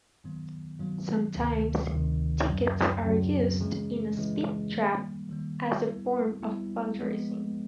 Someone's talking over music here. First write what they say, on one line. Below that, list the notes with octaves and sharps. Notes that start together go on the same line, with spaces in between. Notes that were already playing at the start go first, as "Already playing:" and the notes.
Sometimes tickets are used in a speed trap as a form of fundraising.
G2 D#3 F#3 B3
G2 D#3 F#3 B3
D2 C3 D#3
D2 C3 D#3
F#2 C#3 F#3
F#2 C#3 F#3
C#3 E3 G#3
C#3 E3 G#3
D#3 G3 A#3
D#3 G3 A#3
G3 B3 E4
G3 B3 E4
F3 G#3 B3